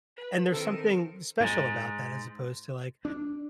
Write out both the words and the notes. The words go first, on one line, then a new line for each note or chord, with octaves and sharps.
and there's something special about that, as opposed to, like,
B4
D#3 C4 A4 A#4
G#2
D4